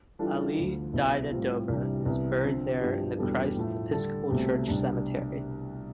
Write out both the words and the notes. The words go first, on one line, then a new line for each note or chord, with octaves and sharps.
Allee died at Dover and is buried there in the Christ Episcopal Church Cemetery.
E3 G3 D4 F4 A4
D2 D3 F3
C2 B2 B3 E4
A2 G3 C4 F4
C2 C3 E3 G3 D4
C2 C3 E3 B3 E4
D3 F3 C4
G2 F3 B3 E4 G4
E2 B2 G3 D4 A4
A2 F3 A3
D3 G3 D4 A4
C2 B2 A3 C4 G4
C2 B2 G3 D4